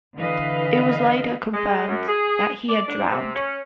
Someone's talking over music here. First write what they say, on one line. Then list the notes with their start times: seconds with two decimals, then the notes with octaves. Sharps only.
It was later confirmed that he had drowned.
0.16 D3 E3 B4 D#5 F5
1.54 G#3
1.88 F#2
2.08 G#4
2.69 D5
2.88 D4
3.09 C3
3.35 C#4